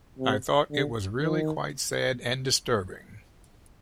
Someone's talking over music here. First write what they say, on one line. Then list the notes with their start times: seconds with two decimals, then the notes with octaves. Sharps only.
I thought it was really quite sad and disturbing.
0.19 C3
0.71 D3
1.21 D#3